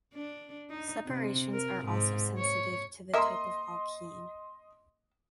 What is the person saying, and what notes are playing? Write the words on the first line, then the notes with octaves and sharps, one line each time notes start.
Separations are also sensitive to the type of alkene.
D4
D#4
C3
A#4
G#2
C#5
A#3 A#4 D#5 E5 C6